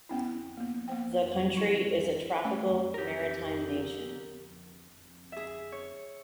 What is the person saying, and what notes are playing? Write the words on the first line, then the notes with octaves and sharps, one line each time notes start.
The country is a tropical, maritime nation.
B3 C#4 E4
A#3 B3
A#3 B3 C5 G5
E4 C#6
A3 C#4 G5
G4 A#4
G#4 E5
C#5